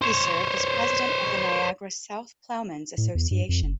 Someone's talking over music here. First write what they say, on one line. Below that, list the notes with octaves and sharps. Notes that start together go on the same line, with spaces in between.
He served as president of the Niagara South Plowman's Association.
C5 C#5
A2
E2
G2
F2
F#1